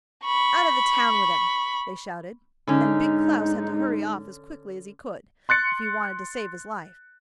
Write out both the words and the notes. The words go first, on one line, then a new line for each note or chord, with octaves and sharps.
Out of the town with him!' they shouted; and Big Klaus had to hurry off as quickly as he could, if he wanted to save his life.
B5 C#6
G#2 D3 C#4 D#4
C6 F#6 A6 C#7